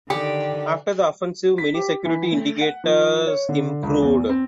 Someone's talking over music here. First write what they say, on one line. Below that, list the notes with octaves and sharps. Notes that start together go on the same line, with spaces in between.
After the offensive, many security indicators improved.
D3 D#3 D4 G4 G5
B6
G4
E3
A3
F#5
F3
C#5
D3
C#2
E2
C4